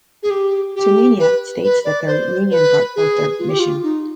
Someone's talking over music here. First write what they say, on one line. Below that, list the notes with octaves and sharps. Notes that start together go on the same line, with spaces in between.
Tumminia states that their union brought forth their "mission".
G#4
G4
G4
B4
B4
D5
C5
B4
G#4
F4
G4
F4
D#4